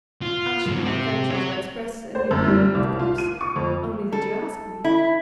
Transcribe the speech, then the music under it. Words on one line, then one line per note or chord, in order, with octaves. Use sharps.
"I should not venture to express any opinion, of course,--only that you ask me."
F4
G#2 F3
C4 G4
C#5 F#5
C5
F#2
G3
C2
F4
D#7
C#6
F2
A4
E4